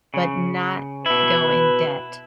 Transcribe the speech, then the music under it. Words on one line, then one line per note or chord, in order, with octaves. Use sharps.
but not go in debt
C#3
B2 E4 B4